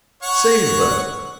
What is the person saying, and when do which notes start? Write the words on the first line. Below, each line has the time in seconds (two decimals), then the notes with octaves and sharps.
"Save the--!"
0.23 C#5 F#5 C#6